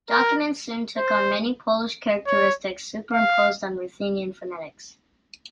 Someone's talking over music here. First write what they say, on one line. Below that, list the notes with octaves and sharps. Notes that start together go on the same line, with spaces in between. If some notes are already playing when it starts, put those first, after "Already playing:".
Documents soon took on many Polish characteristics superimposed on Ruthenian phonetics.
A#4
C5
C#5
F5